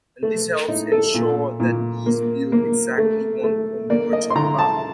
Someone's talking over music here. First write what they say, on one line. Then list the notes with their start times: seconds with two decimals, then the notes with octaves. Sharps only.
This helps ensure that bees build exactly one comb per top bar.
0.23 A3
0.68 A2 D#4
0.92 A4
1.14 A#2
1.60 A#2
2.06 A#3
2.52 A#3
2.98 A3
3.44 A3
3.90 A#3 D5
4.13 D#5
4.30 C6
4.35 D3 A#5
4.59 A5